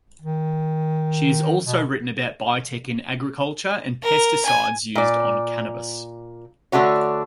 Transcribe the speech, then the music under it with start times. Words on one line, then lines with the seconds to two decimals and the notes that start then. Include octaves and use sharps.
She has also written about biotech in agriculture and pesticides used on cannabis.
0.21 D#3
1.65 B2
4.03 A#4
4.45 G#5
4.95 A#2 D5
6.72 D3 A3 D4 F#4 C#5